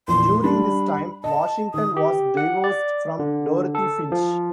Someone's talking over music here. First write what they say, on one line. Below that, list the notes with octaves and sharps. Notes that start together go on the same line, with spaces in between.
During this time, Washington was divorced from Dorothy Finch.
A#1 E2 C6
G3 D4 B5
D#5 A5
D#3 D#6
G4
F#5
D5
D3
A4
F3